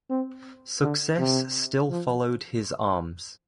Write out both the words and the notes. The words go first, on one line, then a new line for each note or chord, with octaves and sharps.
Success still followed his arms.
C4
D3
C3
F3